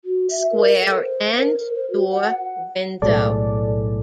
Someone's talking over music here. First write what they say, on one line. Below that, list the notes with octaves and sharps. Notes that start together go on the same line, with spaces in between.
Square end door window.
F#4
E5
A#4
A4
C5
A#4
A#4
C5
F#4
F#5
B1 A2 G#3 A4 D5